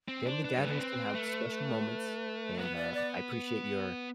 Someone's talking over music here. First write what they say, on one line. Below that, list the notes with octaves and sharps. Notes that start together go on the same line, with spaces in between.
family gatherings can have special moments and, uh, I appreciate your
C4
D4 C5
D4 B4
G3
A3
B3
C4
A3
B3 B4
D5
D5